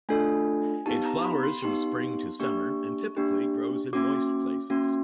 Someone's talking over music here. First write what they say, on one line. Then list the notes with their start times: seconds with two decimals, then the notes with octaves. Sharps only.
It flowers from spring to summer and typically grows in moist places.
0.09 A3 D4 F4 A4 G#5
0.86 B3 D#4 G4 A5
1.05 A#5
1.24 B5
1.43 C6
1.62 B3 D#4 G4 C6
2.40 A#3 D4 G4 C#6
3.17 A#3 D4 G4
3.93 A#3 C#4 F#4 D6
4.70 A#3 C#4 F#4